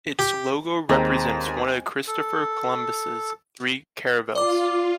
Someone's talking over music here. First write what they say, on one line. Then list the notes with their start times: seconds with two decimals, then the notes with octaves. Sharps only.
Its logo represents one of Christopher Columbus's three caravels.
0.19 G4
0.89 D#2 G#3 C4 A#5
1.48 G#5
2.07 A4
4.35 F4 D5 D6